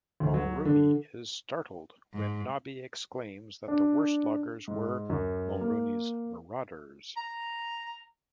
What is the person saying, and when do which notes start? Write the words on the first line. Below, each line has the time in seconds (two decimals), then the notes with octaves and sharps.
Mulrooney is startled when Knobby exclaims that the worst loggers were "Mulrooney's Marauders".
0.20 D2
0.34 F#3
0.65 D3
2.14 G#2
3.68 D4
4.68 G#2
5.10 F#2
5.61 A#3
7.16 A#5